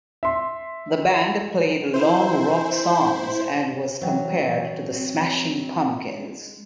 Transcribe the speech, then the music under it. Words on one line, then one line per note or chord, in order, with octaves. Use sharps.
The band played long rock songs and was compared to The Smashing Pumpkins.
E5 C6
E4 C5
E3 F#3 C5 F#5 G5
C4
G#3